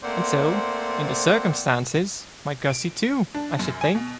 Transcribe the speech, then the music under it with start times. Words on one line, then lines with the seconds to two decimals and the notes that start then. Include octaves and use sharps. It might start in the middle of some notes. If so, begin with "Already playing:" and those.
And so, in the circumstances, might Gussie too, I should think.
0.04 A3 A#3 C4 C5 D5 F#5
2.70 D7
3.35 D4
3.59 F#2
3.81 G#5
3.95 B2